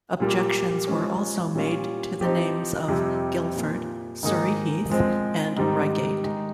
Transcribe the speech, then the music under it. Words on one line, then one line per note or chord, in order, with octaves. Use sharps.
Objections were also made to the names of Guildford, Surrey Heath and Reigate.
A#2 G3 A#3
F3 G#3 C#4
A#2 G3 C#4 F4
F3 C4 D#4 G4
F2 C3 G3
A#2 F3 A#3
G#2 D#3 A#3 D#4 G#4
F3 G#3 C4
G#2 D#3 G3 C4 D#4
D#3 G#3 D#4